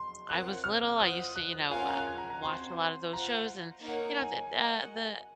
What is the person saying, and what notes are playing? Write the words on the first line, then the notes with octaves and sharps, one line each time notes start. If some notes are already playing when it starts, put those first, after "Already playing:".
"I was little, I used to," you know, uh, "watch a lot of those shows and" you know, the the, uh the
Already playing: C6
C4 F4 A#4 C#5 F#5 F#6
F6
F4 C5 F#5 D#6
F#6
C#4 F4 A#4 C#5 F5 G#5
F#5
A#5
F#6
G#6
A#5
A#5
C4 F#4 C5 C6
F4 C5 F#5 A#5
A#3 D#4 A#4 C#5 F#5
G#5
F#4 A#4 D#5 F#5